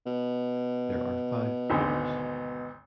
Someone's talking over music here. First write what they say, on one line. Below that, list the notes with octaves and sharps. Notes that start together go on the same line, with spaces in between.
There are five floors.
B2
G#1 D2 G#2